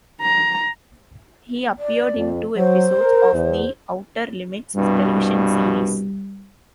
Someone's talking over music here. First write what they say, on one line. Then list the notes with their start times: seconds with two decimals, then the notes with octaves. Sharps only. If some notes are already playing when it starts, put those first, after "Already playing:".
He appeared in two episodes of "The Outer Limits" television series.
0.22 A#5
1.78 D5
2.17 F2
2.57 F#3 C5
3.01 A#4
3.33 E2
4.75 C2 G2 B2 G3